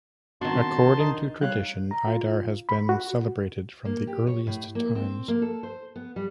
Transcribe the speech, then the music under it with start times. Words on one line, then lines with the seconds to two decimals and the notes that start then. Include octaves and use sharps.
According to tradition Idar has been celebrated from the earliest times.
0.41 D#3 B3 C4 D4 F#4 A5 C6
0.99 C2 D4 D#4
1.41 G3 D#4 C#5 F5 G5 F#6
1.91 A#5
2.07 F4
2.69 B5
2.89 F#4
3.85 A#3
4.07 G4
4.27 C#5
4.47 A2
4.75 A#3
4.95 C4
5.28 A#3
5.42 A4
5.63 C5
5.96 B3
6.16 G3